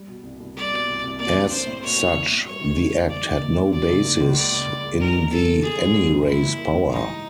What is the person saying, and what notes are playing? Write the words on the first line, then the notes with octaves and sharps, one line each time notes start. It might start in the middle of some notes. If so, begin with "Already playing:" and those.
As such, the Act had no basis in the 'any race' power.
Already playing: G3
B2
C2
C2
G3 D5
B2
C2
C2
A#3 D5
F#3
D4 C5
A2
A#3 C#5
F#3
D4
A2
G3 C#5
D#3
A#3
D#2
G3 D5
D#3
A#3
D#2
F#3 D5
C#3
A#3
C#2
F#3 D5
C#3
A#3
C#2
D#3 A#4
F#2
G3 A4
F#1
D#3 G#4
F#2
G3
F#1
G3 E4
E3
A#3
G#2
G3 D#4
E3